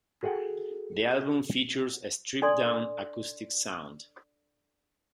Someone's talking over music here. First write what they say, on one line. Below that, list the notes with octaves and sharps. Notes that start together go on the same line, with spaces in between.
The album features a stripped down, acoustic sound.
F#4 G#4 A4 F#5 G5
D4 A4 D5 C6